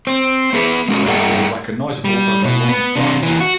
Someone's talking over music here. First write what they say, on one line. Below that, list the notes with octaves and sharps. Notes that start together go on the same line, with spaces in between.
They are all recognizable by their long plaits.
C4 C5
B3 G#4 B4
G#3 C#4 F#4 A4
G2 G#4 D#5 F#5 G5
G3
B2
B3
C3 D4
D#2 E3
F#4